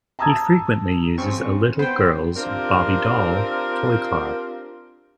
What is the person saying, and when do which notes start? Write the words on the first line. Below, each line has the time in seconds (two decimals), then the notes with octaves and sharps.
He frequently uses a little girl's Bobbie Doll toy car.
0.19 A5 A#5 D#6 E6 G#6
1.18 C#3 F3 C4 C#6
1.79 B3 C5 G5
2.36 C4 D4 F4 G4 A#4